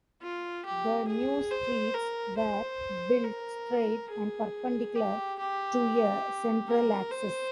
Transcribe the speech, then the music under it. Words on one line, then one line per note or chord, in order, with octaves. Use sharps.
The new streets were built straight and perpendicular to a central axis.
F4
G4
G#4
C5
A#4
C5
A#4
G#4
G4
G4
A#4
C5